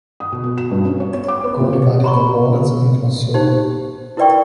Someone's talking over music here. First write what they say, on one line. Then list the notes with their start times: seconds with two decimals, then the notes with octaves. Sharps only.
God divided the waters and it was so.
0.20 D#6
0.32 B2
0.44 B2
0.58 E7
0.71 G2
0.85 C#4
1.00 C#5
1.14 C#5
1.28 D6
1.44 B3
1.60 A#2
1.73 C#5
2.04 A#5 B5 C#6
3.34 D#4 G4 C5
4.17 E4 A#4 B4 D5 G5 C#6